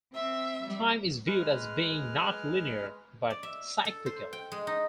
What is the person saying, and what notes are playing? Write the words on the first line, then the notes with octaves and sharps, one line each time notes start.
Time is viewed as being not linear but cyclical.
C4 E5
G3
G#3 B4 F6
D5
E5
A4
C5
G5
G#3
D#4